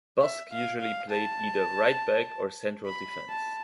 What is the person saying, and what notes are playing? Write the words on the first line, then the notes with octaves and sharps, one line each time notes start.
Busk usually played either right-back or central defence.
E5
F5
F5
A5
B5
A5